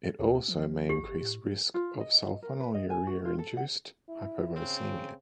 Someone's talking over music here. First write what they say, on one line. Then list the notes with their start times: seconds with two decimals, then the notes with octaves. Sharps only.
It also may increase risk of sulfonylurea-induced hypoglycemia.
0.19 D2
0.48 F3
0.90 C#2 G4
1.03 G1
1.22 A2
1.74 F4
2.00 D#5
2.42 A#4
2.60 B4
2.75 D#5
2.90 G#5
3.07 F#4
3.25 F4
3.39 A4
3.57 F#5
4.09 E4
4.56 C#3 C4